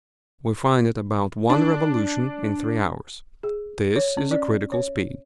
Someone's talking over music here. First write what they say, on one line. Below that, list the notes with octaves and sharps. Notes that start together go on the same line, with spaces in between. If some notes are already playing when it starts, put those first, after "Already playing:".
We find it about one revolution in three hours. This is a critical speed.
D4
G#4
C#5
C#4
D5
C#5